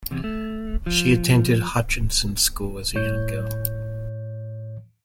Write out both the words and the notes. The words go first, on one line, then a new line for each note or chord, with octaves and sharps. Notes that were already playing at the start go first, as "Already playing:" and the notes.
She attended Hutchison School as a young girl.
E2 C3
A3
F3
A2 C#5 G6